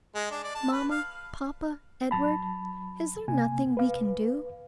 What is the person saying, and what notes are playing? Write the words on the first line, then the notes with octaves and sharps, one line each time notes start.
"Mamma, papa, Edward, is there nothing we can do?"
G#3
D4
D5
A5
B4
F5
F#3 A5 B5
C3 A#3 G#5
B4 F5